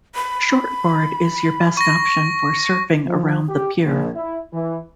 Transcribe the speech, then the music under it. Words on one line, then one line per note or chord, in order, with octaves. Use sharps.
Shortboard is your best option for surfing around the Pier.
B5
C#6 A#6
F3
G4
A#1
E4
E3